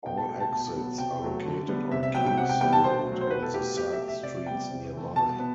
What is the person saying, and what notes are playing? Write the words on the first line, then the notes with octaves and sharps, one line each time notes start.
All exits are located on King's Road and the side streets nearby.
B2 G5
A5
A3 G5
A5
B2 A5
F#3 B3
C3 G5
F#3 A3
D3
G3 B3
C3 E5
E5
F#3 B3 G5
G5
C3 F#5
G5
E3 G3 B3 G5
A5
B2 C5
F#3 A3
C5
B2 B4
A4
A3 G4
B2 G4
E5
A3
E5
C3 D5
G3 B3 G5
C3
E3 A3
B2 A5
B3